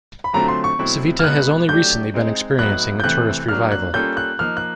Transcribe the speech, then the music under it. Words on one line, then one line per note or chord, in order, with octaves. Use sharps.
Civita has only recently been experiencing a tourist revival.
B5
D3 F#3 A3 C4 F4 A#5
C6
C#6
B2 F#3 A3 C4 E4
F6
B2 G#3 B3 D#4 F#6
F#3 A3 D4 G4 G6
G#3 C4 D#4
A2 F#3 B3 D#4 F#6
G6
C3 E3 A3 C4 F#6
F#3 A#3 D4 F6
F#6
G3 A#3 C#4 F4 A4 G6
F#6
F3 A#3 D#4 F6
F#6